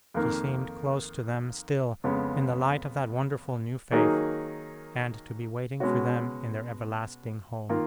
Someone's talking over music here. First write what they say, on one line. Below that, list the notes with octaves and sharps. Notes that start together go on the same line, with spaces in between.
She seemed close to them still in the light of that wonderful new Faith, and to be waiting for them in their everlasting home.
F2 D#3 A#3
F2 C#3 G#3 B3
D#3 F#3 A#3 D#4 G#4
B2 G#3 C#4 F#4
D#3 A#3 F4